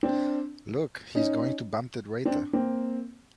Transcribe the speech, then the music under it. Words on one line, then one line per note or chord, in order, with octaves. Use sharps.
Look — he's going to bump that waiter.
C4 D4
C#4 D#4
C4 D4
A#3 C4